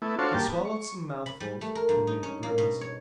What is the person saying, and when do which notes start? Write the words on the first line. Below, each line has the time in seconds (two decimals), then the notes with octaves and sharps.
He swallowed some mouthfuls and made a grimace.
0.02 A3 B3 E4
0.19 D4 F4 F#4 A4 C5 C#5
0.34 G2 A#3 G4 A5
0.49 B3
0.65 C#6
1.26 B5
1.40 G3
1.61 A3
1.75 A#4
1.89 G2
2.07 D#4
2.23 C#4
2.43 A#3
2.58 B2
2.81 C#5